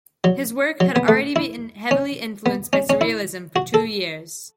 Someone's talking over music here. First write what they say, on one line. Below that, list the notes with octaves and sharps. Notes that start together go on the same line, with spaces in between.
His work had already been heavily influenced by surrealism for two years.
F#3
F#3
B3
A3
E4
C#4
B3
C#4
C#4
E4
F#4
A4